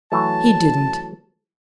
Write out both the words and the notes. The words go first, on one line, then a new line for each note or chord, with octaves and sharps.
He didn't.
E3 F#3 A3 A5